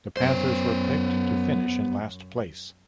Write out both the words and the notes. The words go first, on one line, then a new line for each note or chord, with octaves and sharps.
The Panthers were picked to finish in last place.
F#2 B3 C5